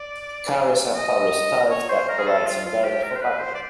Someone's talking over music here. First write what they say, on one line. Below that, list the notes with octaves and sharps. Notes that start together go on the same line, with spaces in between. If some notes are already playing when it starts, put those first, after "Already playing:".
Carriers have published tariffs that provide some guidance for packaging.
Already playing: D5
D#5
C#5
C5
A#4
G#4
A4
F4
F4
G4
A#4
C5
B4
C5
D5